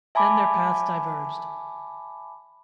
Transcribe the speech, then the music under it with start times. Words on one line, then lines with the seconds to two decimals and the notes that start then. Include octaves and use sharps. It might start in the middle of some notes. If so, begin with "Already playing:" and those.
Then their paths diverged.
0.15 E5 G#5 A5 B5 D6